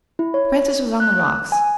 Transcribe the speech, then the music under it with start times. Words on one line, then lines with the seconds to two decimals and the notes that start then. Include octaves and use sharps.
Francis was on the rocks.
0.19 E4
0.34 C#5
1.00 F#6
1.52 G#5